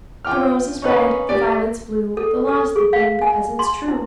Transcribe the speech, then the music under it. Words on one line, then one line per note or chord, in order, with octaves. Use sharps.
"The rose is red, the violet's blue, The law's the thing, because it's true!"
F4 G5 D6 F6
C#4 D#4 B4
G4 D5
A4
A4
G#4
F5
G#5
C6
E4